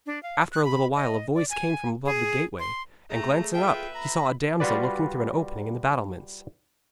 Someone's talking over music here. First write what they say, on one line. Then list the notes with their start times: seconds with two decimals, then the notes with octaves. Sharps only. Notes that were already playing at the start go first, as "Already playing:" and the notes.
After a little while a voice came from above the gateway, and glancing up he saw a damsel looking through an opening in the battlements.
0.06 D4
0.23 F5
0.52 F#6
0.64 B5
0.96 D#5
1.35 D5
1.50 G#5
2.06 G#4
2.59 C6
3.10 A3 G#4 A4 A#5
3.54 F4 B4 E5 G5
3.95 A#5 B5
4.60 G3 F4 F#4 B4 D5